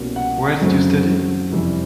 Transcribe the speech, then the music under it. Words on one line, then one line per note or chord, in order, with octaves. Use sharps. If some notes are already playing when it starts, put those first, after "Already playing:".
Where did you studied?
Already playing: C2 B2 G3 A#3 C#4
F#5
F#2 C#3 F#3 A3 C4
F1 F2 C3 E3 G3